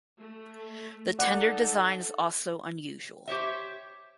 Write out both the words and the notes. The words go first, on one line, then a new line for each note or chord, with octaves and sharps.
The tender design is also unusual.
A3
D#4 A4 D5 F#5
G4 C5 C#5 E5